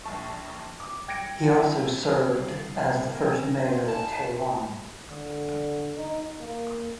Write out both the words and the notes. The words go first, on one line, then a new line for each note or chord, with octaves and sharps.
He also served as the first mayor of Tehran.
A#1 A5 C#6
D6
G5 G#6 A#6 C#7 D7
E4
C2
A#4 G5 G#5
C6 G6
D#4 G#5 A5
D3
D#4
A#3